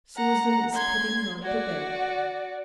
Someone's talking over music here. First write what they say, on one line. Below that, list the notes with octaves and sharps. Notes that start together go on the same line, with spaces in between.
"Susan is putting her to bed."
F#5 A#5
C6 G#6
F#4 D5